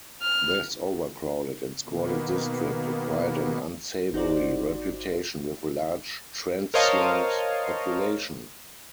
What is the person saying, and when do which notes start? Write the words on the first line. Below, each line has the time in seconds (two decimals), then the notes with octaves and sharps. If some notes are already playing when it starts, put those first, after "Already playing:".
This overcrowded and squalid district acquired an unsavoury reputation with a large transient population.
0.22 F6
1.85 B2 D#3 A#3 B3
4.13 G1 D#4 F#4 C5 D5
6.74 A#4 C5 C#5 D#5 F5 A5